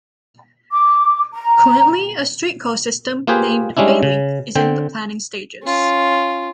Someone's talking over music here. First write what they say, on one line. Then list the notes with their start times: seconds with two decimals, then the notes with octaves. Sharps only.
Currently, a streetcar system, named 'Baylink' is in the planning stages.
0.71 D6
1.33 A#5
3.27 A#3 F4 G4 G#4 B4 C5
3.77 G3 G#3 C#4 D4 E4
4.03 C#3
4.55 D3 C4 G5
5.63 C#4 F4